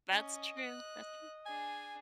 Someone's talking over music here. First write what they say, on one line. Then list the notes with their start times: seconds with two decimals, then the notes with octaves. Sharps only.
That's true. That's true.
0.10 C#4 D#5
0.58 F#6
1.46 D4 G#4 G#5